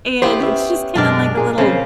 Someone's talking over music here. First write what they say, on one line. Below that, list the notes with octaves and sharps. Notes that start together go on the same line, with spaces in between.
and it's just kinda like a little,
B3 E4 G4 B4 C5
C#4 E5
F#2 B2 G#3 D4 A#4 D5
A#2 G#4
C#3 F3 A#3 C4